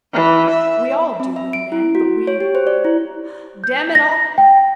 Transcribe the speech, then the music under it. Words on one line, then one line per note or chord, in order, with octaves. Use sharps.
We all do, we men, but we--damn it all!
E3
E5
C4
E5
D7
E4
F#4
C#5
G4
C5
D5
E4
G6
A#6
G5